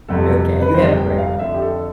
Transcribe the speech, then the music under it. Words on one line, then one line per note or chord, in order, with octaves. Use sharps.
okay, you have a great one.
G1 F2 C3 A4
B4
G1 F2 C3 C5
G5
F5
F2 D3 A3 E5
G4
A4